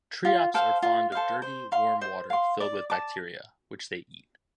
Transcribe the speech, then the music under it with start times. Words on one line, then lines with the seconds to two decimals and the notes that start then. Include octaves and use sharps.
Triops are fond of dirty, warm water filled with bacteria, which they eat.
0.25 F4
0.54 A4 C5 F5
0.82 F4
1.12 A4 C5 F5
1.42 C5
1.72 F5 C6
2.01 C5
2.30 F5 C6
2.60 D5
2.90 A5 D6